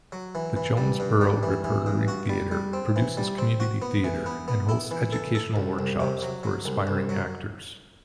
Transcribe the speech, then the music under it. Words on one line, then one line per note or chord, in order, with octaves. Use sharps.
The Jonesborough Repertory Theatre produces community theater and hosts educational workshops for aspiring actors.
F#3
E3
E3
G3
G2
G3
E3
E3
G2
F#4
G3
G3
C4
E3
G3
C4
F#4
B3
E3
B3
B3
E4
E3
A4
A4
C2
C2
C3
F#3
F#3
C2
C2
F#3